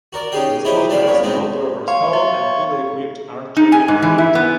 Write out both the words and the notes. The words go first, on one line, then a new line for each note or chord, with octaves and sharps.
The school has an all-purpose hall and a fully equipped armchair theatre.
F#4 A#4 D5
C#4 D#4 G4 G#4 F5 G5
E4 G4 G#4 C5 C#5 D#5
D4 G4 B4 D5 F5
F#3 B3 C#5
G#2 F#3 G#3 C4 D#4
C#5 F5 C6
E5
D#4
G#5
G#2
E3
E4
B3